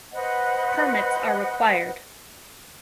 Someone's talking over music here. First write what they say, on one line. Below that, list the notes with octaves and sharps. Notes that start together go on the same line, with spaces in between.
Permits are required.
B4 C5 D#5 F#5